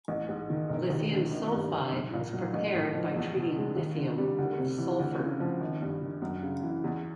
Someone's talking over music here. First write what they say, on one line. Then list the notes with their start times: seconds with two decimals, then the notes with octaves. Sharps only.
Lithium sulfide is prepared by treating lithium with sulfur.
0.08 A1
0.29 G#2
0.50 D#3
0.69 E1
0.90 D#2
1.10 D3
1.32 G#1
1.52 G2
1.71 D3
1.92 B1
2.13 A#2
2.33 F#3
2.53 A1
2.74 A2
2.95 F3
3.16 E2
3.36 B2
3.56 G#3
3.76 D#2
3.98 D3
4.18 G3
4.38 D2
4.58 C3
4.78 E3
4.99 D2
5.20 C#3
5.40 F3
5.61 G#1
5.82 G2
6.02 D#3
6.22 F#2
6.43 C#3
6.63 E3
6.84 E2